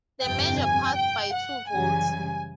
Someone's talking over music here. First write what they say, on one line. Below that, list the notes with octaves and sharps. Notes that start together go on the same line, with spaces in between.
The measure passed by two votes.
G1 F2 C3 G5
G#5
G5
F#5
F#2 C#3 E3 G3 G#5